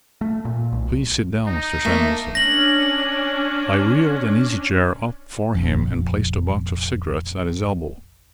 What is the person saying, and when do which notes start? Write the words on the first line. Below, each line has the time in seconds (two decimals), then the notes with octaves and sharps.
"Please sit down, Mr. Samuelson." I wheeled an easy-chair up for him and placed a box of cigarettes at his elbow.
0.21 A3
0.45 A#2
0.72 B1
1.47 D#4
1.85 A3 A#3
2.35 C#4 D4 A#6 F#7
5.55 F1 A#1 F2